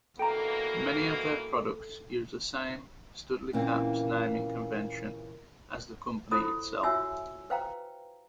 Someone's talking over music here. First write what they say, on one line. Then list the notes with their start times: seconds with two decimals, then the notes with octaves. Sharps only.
Many of their products used the same StudlyCaps naming convention as the company itself.
0.19 B2 E3 A#3 A4 G5 A#5
3.53 A#2 C#3 E3 A#3 C4
6.31 E4 F4 A4 C5 B5 D#6
6.83 F4 F#4 C#5 E5 G#5 E6
7.50 B4 C5 F5 G5 A#5